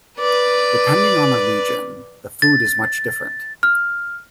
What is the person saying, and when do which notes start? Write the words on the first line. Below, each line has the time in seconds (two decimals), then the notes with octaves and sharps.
Depending on the region, the food is much different.
0.19 B4 D5
2.42 A6
3.63 F6